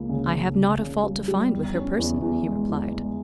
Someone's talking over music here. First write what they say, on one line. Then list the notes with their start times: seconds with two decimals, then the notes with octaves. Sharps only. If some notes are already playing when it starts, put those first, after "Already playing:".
"I have not a fault to find with her person," he replied.
Already playing: C#2 A#3
0.09 C#3
0.33 C#3
0.57 C#3
0.80 C#3
1.04 G3
1.28 G3
1.52 E2
1.74 C#4
1.98 E2
2.22 E2
2.46 G#3
2.69 E2
2.93 G#3